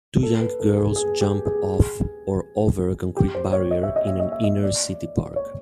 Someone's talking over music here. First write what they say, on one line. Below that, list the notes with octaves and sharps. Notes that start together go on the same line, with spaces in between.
Two young girls jump off or over a concrete barrier in an inner city park.
A4
B4
A4
G#4
G#4
G4
G#4
G4
C5
C#5
D#5
E5
D#5
E5
D#5
E5
D#5
D5
C#5